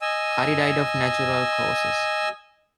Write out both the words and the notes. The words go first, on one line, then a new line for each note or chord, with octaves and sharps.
Curry died of natural causes.
D#5 G#5 E6